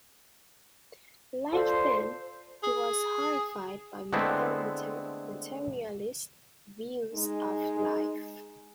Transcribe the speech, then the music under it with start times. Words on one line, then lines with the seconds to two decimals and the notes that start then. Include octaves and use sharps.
Like them, he was horrified by modern materialist views of life.
1.52 F4 A4 C5 D5
2.63 G#4
4.13 D3 G#3 A3 B3 C4 E4
7.14 G#3 D#4